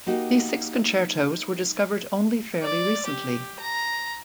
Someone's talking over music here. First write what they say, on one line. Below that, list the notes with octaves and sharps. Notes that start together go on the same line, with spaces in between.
These six concertos were discovered only fairly recently.
A#3 D#4 F#4 G4
D5
G4
A#5